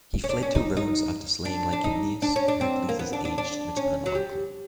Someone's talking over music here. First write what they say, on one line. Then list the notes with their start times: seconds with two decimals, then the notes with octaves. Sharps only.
He fled to Rhodes after slaying Licymnius, Heracles' aged maternal uncle.
0.24 C#4
0.29 D4
0.43 C#4
0.55 D#4
0.77 D#4
1.45 D4
1.73 D4
1.84 D#4
2.22 D4
2.36 C#4
2.48 D4
2.61 C4
2.89 A#3
2.99 B3
3.13 D4
3.25 D4
3.38 D4
3.77 C#4
4.06 F#3
4.15 G3